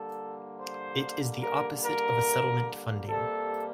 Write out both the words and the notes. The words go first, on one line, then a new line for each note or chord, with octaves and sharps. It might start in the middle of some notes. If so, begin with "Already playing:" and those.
It is the opposite of a settlement funding.
Already playing: D3 G3 A#3 A4
C5
A#4
A#4
C3 G3 A#3 A4